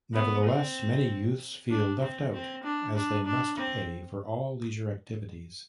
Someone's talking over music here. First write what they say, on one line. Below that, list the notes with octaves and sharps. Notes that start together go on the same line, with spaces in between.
Nevertheless, many youths feel left out, as they must pay for all leisure activities.
B3
C4
D4
C4
C4
D4
D4
D4
C4